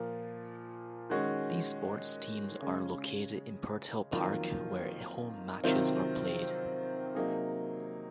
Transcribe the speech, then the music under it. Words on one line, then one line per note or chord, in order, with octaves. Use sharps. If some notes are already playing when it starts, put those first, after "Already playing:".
These sports teams are located in Purtell Park where home matches are played.
Already playing: A#2 F3 A#3
D#3 G#3 C#4 F#4
C#3 G#3 C#4
F2 D#3 F#3 A#3 F4
C3 D#3 F#3 C4 F4
C3 F#3 A#3 D#4 G#4